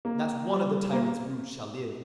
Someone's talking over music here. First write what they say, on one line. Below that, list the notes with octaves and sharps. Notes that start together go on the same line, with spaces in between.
Not one of the tyrant's brood shall live.
A#3
G3
A#3